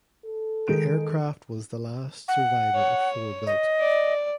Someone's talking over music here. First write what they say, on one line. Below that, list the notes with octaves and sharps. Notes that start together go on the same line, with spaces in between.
The aircraft was the last survivor of four built.
A4
D#3 G#3 G6 D7
F#5
C#5
D#5
D5